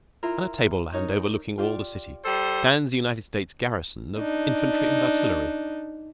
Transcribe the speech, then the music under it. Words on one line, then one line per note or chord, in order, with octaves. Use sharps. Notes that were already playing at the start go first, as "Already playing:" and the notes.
On a table-land overlooking all the city stands the United States garrison of infantry and artillery.
E4 F4 A#4
D#4 A#4 C#5
F4 G4 D5
G3 A4 C5
D4 D#4